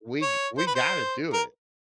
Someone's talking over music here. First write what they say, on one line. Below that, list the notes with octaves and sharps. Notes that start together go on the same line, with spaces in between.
we g we gotta do it.
C#5
C5
B4
C5
A#4